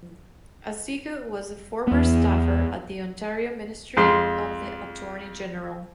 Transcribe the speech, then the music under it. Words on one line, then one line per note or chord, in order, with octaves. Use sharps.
Aziga was a former staffer at the Ontario Ministry of the Attorney General.
E2 B3
F2 G#3 C6